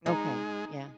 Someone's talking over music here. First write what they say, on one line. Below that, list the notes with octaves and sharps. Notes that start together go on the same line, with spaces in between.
Okay, yeah.
G#3 D#4